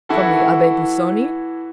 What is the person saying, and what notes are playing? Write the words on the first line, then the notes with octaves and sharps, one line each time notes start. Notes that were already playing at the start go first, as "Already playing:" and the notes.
"From the Abbe Busoni?"
E3 E4 F#4 A4